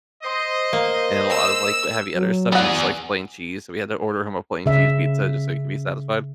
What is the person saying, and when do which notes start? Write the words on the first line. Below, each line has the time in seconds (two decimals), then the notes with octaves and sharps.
and a lot of like heavy other stuff, he just likes plain cheese, so we had to order him a plain cheese pizza just so he could be satisfied.
0.23 C5 D#5
0.73 A#3
1.30 E6
2.15 F#3
2.52 B3 G#4 D5 F#5
4.66 C#3 E5